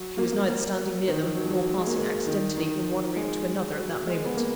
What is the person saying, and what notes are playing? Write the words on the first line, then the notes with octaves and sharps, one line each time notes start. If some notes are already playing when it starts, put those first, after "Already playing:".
She was neither standing near them, nor passing accidentally from one room to another at that moment.
Already playing: F#3
A#3
A#3
A#3
D#3
F3
F#3
F3
F#3
G#3
A#3
G#3
D#3
D#3
G#3
F#3
G#3
B3
A#3